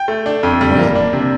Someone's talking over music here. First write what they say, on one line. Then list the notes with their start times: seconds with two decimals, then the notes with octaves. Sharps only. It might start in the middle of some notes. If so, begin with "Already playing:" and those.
"But when?"
Already playing: G5
0.08 A3
0.26 D4
0.43 F2
0.61 G3
0.78 A#3
0.95 D4
1.13 C3